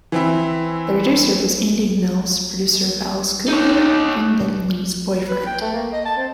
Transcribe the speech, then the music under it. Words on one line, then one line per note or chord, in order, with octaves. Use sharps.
The producer was Andy Mills, producer of Alice Cooper and then Lee's boyfriend.
E3 C4 E4
D#4 C#5
B4
G5
A3
A#3
D#5
A5
C4